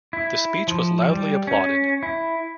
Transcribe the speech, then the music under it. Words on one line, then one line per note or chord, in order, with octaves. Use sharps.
The speech was loudly applauded.
E4
F3
G3
C#4
E4